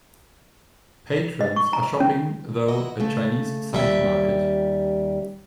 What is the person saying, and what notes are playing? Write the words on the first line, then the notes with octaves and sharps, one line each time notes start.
Patrons are shopping though a Chinese side market.
D#5
C#6
A#5
C#4
E4 F#4 D#5
C#3 A3
D#2 G3 C#4 E5